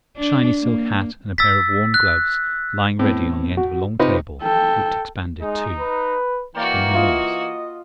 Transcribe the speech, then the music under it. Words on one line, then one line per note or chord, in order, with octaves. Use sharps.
A shiny silk hat and a pair of worn gloves lying ready on the end of a long table looked expanded too, enormous.
D4
A#3
E6 A6 B6
F#6
A2 B3 C4
F#4
C3 D#4 F4 B4 C5
A4 G5
G#3 D#4
B4
E3 A#3 F#4 A#4 D5 G5
F4 D#5